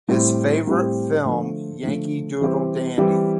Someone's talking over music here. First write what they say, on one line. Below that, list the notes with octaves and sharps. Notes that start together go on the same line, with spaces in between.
His favorite film, "Yankee Doodle Dandy".
A2 G3 C4 G4
A2 G3 C4 G4
D3 F3 A3
D3 F3 A3
E3 G3 C4 E4 G4
E3 G3 C4 E4 G4